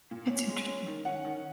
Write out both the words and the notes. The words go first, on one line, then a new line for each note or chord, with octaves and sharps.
That's interesting.
A#2
C#4
G#3
C#4
D#3
C#4 F#5
D#3